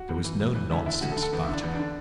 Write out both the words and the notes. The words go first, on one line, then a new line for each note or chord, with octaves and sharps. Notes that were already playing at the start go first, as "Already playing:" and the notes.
There was no nonsense about her.
Already playing: F#4
E2
E3
E2
E3
D2 E4
D3 E4
D2 F#4
A4
D3
A4
E2 B3
E4
D3 D4
E2 B3
D4
D3